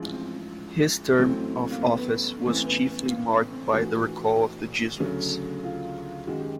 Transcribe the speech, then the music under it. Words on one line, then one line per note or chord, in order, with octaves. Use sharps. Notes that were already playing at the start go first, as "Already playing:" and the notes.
His term of office was chiefly marked by the recall of the Jesuits.
Already playing: A1 G#2 F3 G#3
C4
A1 A2 F#3 A3 C4
A#3
B3
B3
B3
A1 A2 E3 C4
B3
B3
A#3
B3
C4
A#1 A2 E3 F#4
D2 C#3 F#3 A3
F4
F#2 D#3 G#3 F#4
G4